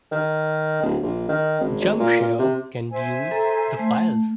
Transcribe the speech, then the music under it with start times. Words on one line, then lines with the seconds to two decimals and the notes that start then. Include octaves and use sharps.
Jumpshare can view the files.
0.12 D#3
0.82 D1
1.03 A#1
1.29 D#3
1.60 G#1
1.80 G#1
1.99 A#2
2.19 A#2
2.39 C3
2.91 C5 E5 G#5
3.31 A4 A#5
3.79 A3